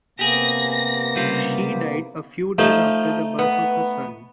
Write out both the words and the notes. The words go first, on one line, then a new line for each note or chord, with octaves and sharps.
She died a few days after the birth of her son.
C3 A#3 B3 G4 G#4 A#6
C#3 G3 F4
F3 A3 D#4
B3